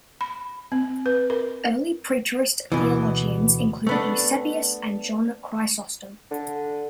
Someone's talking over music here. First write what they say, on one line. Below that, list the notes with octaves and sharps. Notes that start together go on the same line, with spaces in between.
Early Preterist theologians included Eusebius and John Chrysostom.
B5
C4
B4
A#4
D2 G#2 B2 E3
A3 B3 D4
D3